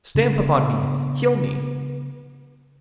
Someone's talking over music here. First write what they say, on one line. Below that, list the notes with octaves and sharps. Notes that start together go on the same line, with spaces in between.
'Stamp upon me, kill me!
C#3 B3 D4